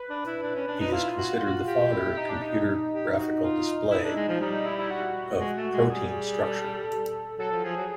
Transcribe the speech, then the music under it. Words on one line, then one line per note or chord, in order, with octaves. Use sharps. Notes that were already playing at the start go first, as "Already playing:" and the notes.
He is considered the father of computer graphical display of protein structure.
Already playing: B4
D4
E4
D4
C#4
D4
D#4
E4 F4
F#4
F#4
G4
E4
E4
D#4
D4
D#4
G4
F#4
F4
E4
D4
G#3
F3
G3 D#4
D#4
E4
E4
F#4
G#3
A3
G#3
G3 G#4
A4
F#3 A4
F3
F3 G#4
F#3